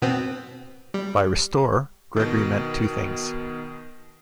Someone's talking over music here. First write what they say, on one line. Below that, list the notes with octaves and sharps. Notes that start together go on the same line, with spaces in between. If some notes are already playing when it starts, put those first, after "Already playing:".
By "restore", Gregory meant two things.
B2 B3 C4
G3
B2 D#3